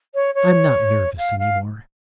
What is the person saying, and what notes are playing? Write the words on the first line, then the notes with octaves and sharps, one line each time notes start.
'I'm not nervous any more.
C#5
C#5
F5
F5